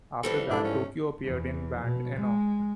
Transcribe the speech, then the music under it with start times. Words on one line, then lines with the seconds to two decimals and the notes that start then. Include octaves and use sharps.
After that Toko appeared in the band Enon.
0.23 E3 F3 G3 A4
0.50 G#2 D4 E4 A4
0.64 C#4
1.24 E2
1.82 B2
2.17 G#3